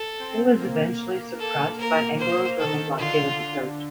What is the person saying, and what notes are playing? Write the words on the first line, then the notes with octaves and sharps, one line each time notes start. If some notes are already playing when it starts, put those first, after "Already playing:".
It was eventually suppressed by an Anglo-German blockade of the coast.
Already playing: A4
C4
A#3
A4
A#4
A#3 C5
D#3 A4
D3 F4